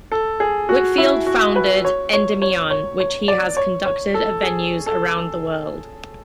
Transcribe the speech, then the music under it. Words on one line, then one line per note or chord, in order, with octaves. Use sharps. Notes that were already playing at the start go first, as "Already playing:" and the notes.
Whitfield founded Endymion, which he has conducted at venues around the world.
A4
G#4
F#4
E4
F#4
B4
C#5
C#5
C#5
C#5
C#5
D5
C#5
C#5
A4
G#4
A4